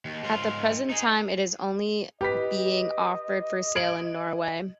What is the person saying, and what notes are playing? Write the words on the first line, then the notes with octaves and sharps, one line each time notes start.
At the present time, it is only being offered for sale in Norway.
D#2
G#2 F4
D#4 G#4
G4 B4 D#5 B6
G#6 D7 F#7